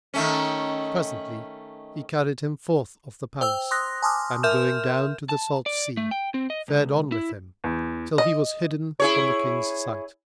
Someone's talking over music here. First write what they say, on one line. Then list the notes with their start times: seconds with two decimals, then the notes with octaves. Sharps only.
Presently he carried him forth of the palace and going down to the salt sea, fared on with him, till he was hidden from the King's sight.
0.14 D#3 A3 C#4
3.41 C5 G5 E6
3.71 C6 D#6 F#6 A#6
4.02 G#5 A5 C6 D6 D#6 F6
4.43 A#4 E5 C6 F6 G6 E7
5.29 A5
5.66 D5
5.97 A3
6.11 G5
6.34 C4
6.50 D#5
6.68 C#2
7.12 E4
7.64 E2
8.18 D#5
9.00 E4 G#4 C#5